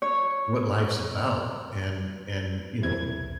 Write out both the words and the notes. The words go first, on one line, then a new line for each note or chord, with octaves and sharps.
what life's about. And and, you know,
C#5
B1 E2 C3 E4 G#6